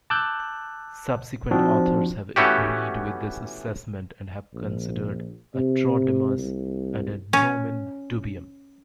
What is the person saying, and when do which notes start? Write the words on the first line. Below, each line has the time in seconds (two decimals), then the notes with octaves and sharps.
Subsequent authors have agreed with this assessment and have considered "Antrodemus" a "nomen dubium".
0.10 A5 D6 E6 F#6 G6
1.51 F3 C4 D4 D#4 F#4
2.36 E3 A3 B3 C#4 F#4 G4
4.54 A#1
5.55 C3
6.38 C2
7.33 C#4